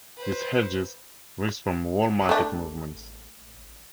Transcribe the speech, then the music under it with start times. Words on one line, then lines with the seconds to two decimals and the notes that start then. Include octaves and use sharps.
This hedges risk from whole-market movements.
0.17 B4 C5
2.29 A3 D4